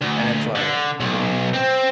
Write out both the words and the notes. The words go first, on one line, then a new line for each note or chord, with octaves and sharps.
And it's like, you know?
D2
D3
B1
C4